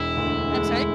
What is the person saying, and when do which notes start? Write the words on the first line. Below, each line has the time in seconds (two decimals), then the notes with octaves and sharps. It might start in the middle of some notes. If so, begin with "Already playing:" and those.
I'm sorry?
Already playing: E1 E4
0.17 D2
0.51 G#3